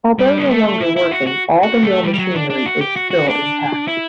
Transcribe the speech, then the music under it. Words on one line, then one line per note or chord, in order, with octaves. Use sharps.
Although no longer working, all the mill machinery is still intact.
G3
B3
A3
E4
E4
F#4
F#4
F#4
A3
G3
G3
F#3
D4
D4
F#4
G4
F#4
F#4
D4
E4